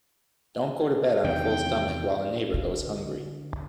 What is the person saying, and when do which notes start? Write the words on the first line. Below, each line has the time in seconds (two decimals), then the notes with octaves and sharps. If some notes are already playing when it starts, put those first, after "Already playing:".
Don't go to bed on a full stomach while a neighbour goes hungry.
1.24 E2 C3 D#3 G5
2.54 D3